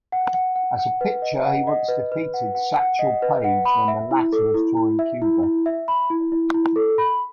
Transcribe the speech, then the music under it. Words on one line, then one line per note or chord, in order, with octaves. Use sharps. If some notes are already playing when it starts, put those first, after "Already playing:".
As a pitcher, he once defeated Satchel Paige when the latter was touring Cuba.
F#5
F#5
F#5
F#5
B4
D#5
F#5
D#5
B4
B4
F#5
F#5
F#5
D#5
B4
F#5
B5
E5
E4
A4
E4
E4
E5
E4
E4
E5
B5
E4
E4
E4
A4
B5